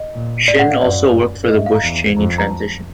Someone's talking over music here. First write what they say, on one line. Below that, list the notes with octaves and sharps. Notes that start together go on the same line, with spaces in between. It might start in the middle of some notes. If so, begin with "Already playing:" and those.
Shin also worked for the Bush-Cheney transition.
Already playing: D#5
A#2
A2 D5
F#5
F5
F#2 D5
D#5
E5
F5
A#5
E2
F2 A#5
A#5
A5